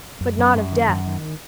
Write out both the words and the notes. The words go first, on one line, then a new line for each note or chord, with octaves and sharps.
But not of death.
F#2
F#2
F#2
D#3
F#2
D#3